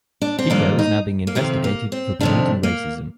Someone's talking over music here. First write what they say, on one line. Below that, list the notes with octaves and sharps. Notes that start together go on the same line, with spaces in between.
Fico is now being investigated for promoting racism.
D4
C4
F2 D#3 G3 A#3 D4
D#4
A#3
F2 C3 D#3 C4
A#3
C4
F2 C3 D#3 D4
A#3